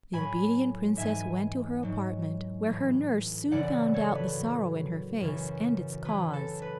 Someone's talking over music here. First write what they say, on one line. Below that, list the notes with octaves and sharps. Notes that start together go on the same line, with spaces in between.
The obedient princess went to her apartment, where her nurse soon found out the sorrow in her face, and its cause.
A2 F#3 G#5 B5
G#2 E3 E5 G#5
G#2 F#3
A2 E3
F#2 C#3 E3 D5 F#5
A4 C#5
B4
A2 F#3
F#2 C#3 E3
F#2 E3 B4
A4
B4